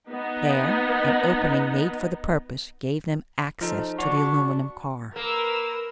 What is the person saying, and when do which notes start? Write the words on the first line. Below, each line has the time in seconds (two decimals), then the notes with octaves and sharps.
There, an opening made for the purpose gave them access to the aluminum car.
0.10 B3 D#4
3.61 F3 D#4 A4
3.98 D4 F#4 C#6
5.16 A#3 A#4 B4 E6